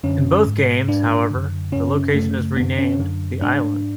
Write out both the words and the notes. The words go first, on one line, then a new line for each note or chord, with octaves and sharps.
In both games, however, the location is renamed "The Island".
F#2 D3 C#4
G#2
G#2 D4
F#2 D3
F#2 C#3 C#4
F#2 C#3 A3
F#2 D3 B3
C#4
F#2 D3
G#2 D4